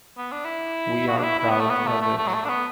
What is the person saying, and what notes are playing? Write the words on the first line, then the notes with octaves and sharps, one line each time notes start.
We are proud of it.
B3
D4
E4
F#4
D4
E4
E4
B3
A3
B3
A3
A3
A3
F#3
A3
D4
B3